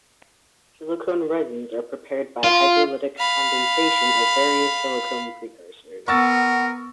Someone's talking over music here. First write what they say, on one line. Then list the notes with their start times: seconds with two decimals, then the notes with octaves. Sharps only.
Silicone resins are prepared by hydrolytic condensation of various silicone precursors.
2.44 F4
3.19 F5 B5
6.08 B3 A#4 F#5 C#6 E6 A6